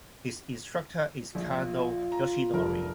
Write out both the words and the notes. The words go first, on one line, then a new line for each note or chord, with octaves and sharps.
His instructor is Kano Yoshinori.
A#1 F4
A#5
F1 A#1 A#4